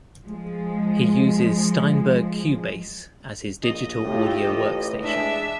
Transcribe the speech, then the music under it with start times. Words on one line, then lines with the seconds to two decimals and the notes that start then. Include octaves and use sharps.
He uses Steinberg Cubase as his digital audio workstation.
0.23 F3 G#3
3.62 A#1 D#5
4.03 A2 A3 F4 G4
4.47 A1
5.04 G#3 D4 E5